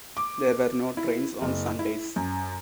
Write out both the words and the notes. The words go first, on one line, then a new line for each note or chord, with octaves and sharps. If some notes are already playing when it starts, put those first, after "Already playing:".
There were no trains on Sundays.
D6
E4
F#1
E4
F#2